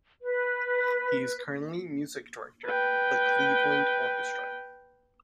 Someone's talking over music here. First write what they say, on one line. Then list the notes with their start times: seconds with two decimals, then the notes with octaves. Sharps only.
He is currently music director of the Cleveland Orchestra.
0.22 B4
2.66 B4 G5